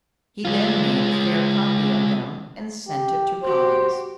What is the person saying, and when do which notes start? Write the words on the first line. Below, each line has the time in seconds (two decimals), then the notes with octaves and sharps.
He then made a fair copy of them, and sent it to Collins.
0.45 G#3 F4
2.88 G4
3.43 F#4 G4 C5